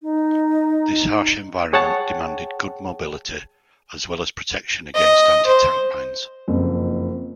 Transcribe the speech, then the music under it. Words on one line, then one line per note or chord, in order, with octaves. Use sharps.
This harsh environment demanded good mobility as well as protection against anti-tank mines.
D#4
G#4 C#5 F#5 G5 A5
D#5
C5
F#1 F2